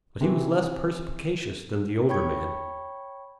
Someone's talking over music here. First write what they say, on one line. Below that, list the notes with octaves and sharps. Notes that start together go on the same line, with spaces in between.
But he was less perspicacious than the older man.
C3 E3
C#5 G5 B5 C#6 G#6